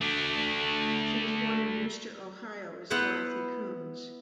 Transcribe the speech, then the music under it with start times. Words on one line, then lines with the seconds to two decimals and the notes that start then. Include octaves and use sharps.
She was born in Wooster, Ohio as Dorothy Kuhns.
0.01 A3 D4
2.90 B3 E4 B4 C5 F#5